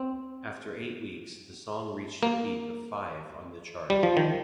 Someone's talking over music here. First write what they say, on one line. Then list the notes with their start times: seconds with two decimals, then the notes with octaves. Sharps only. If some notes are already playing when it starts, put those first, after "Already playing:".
After eight weeks, the song reached a peak of five on the chart.
Already playing: C4
2.23 A#3
3.90 G3
4.03 F3
4.17 D#3